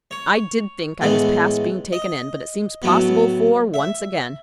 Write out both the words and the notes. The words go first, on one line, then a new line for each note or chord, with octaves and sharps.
I did think I was past being taken in, but it seems possible for once again.
C#5
A2 E3 G#3 B3
D#5
A2 F#3 B3
E5